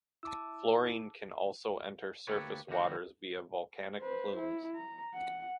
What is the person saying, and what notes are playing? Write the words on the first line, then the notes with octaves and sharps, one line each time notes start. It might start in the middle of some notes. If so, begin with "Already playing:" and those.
Fluorine can also enter surface waters via volcanic plumes.
E4 A5 D6 E6
D2 A#3 G4 A4 B4 C#5
E2 D3 D#3 F3 G3 F#4
B4 C5
E4
A#5
F#5